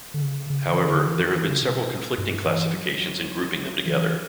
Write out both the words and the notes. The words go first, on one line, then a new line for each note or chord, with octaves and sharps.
However, there have been several conflicting classifications in grouping them together.
D3
C#3
C#3
E3
D3
E3
E3
C#3
B2
G2
E3
F#3
E3